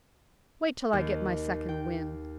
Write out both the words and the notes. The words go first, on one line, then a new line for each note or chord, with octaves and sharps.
"Wait till I get my second wind."
D#2
G5